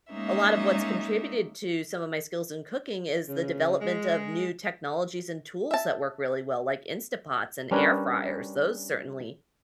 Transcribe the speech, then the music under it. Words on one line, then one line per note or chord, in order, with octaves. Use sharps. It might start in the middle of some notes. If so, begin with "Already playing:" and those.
a lot of what's contributed to some of my skills in cooking is the development of new technologies and tools that work really well, like Instapots and air fryers, those certainly
G#3 A#3 C#4 D#4 E5
C#3
G#3
E5 A5
G3 C#4 D4 A#4 B4 C#5